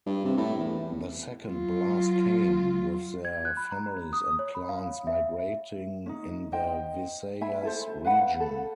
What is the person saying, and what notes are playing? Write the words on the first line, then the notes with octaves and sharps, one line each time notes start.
The second blast came, with their families and clans migrating in the Visayas region.
G2
C3
A2
E2
F#3 F4
G#6
F#6
B5
A#5
D#6
C#5
B5
F5
E5
C#4 D#4
C5 D#5 G5
E5 G#5 B5
E4 A4 C5
B4 F5 F#5 B5
A4